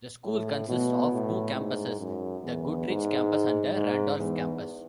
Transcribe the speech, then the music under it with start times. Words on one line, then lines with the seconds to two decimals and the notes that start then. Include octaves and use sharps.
The school consists of two campuses: the Goodrich Campus and the Randolph Campus.
0.25 A2
0.69 B2
1.12 A2
1.56 G#2
1.99 F#2
2.43 E2
2.87 G#2
3.74 G#2
4.17 E2